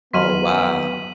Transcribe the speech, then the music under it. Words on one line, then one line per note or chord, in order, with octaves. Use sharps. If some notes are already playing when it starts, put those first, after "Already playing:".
Oh, wow.
D#3 F#3 B3 C6 F6 B6 D#7 F#7